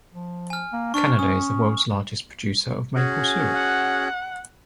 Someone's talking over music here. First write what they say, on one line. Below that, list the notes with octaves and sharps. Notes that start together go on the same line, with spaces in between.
Canada is the world's largest producer of maple syrup.
F3
G#5 F6
A#3
D4 C#6 F6
C#4 D#6
C#4 F#4 G#4
F#5